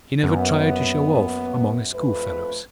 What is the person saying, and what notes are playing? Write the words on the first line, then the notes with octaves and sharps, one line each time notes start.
He never tried to show off among his schoolfellows.
F#2 A#3 B3
F2 A3 B4